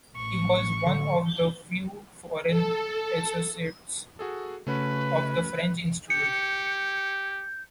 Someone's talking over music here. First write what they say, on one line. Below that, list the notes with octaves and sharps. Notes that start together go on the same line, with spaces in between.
He was one of the few foreign associates of the French Institute.
A1 A2 C#6
D3
A4
F#4 G#4 A4
C#3 A3 C#4 F#4 B4
G4 G6 C#7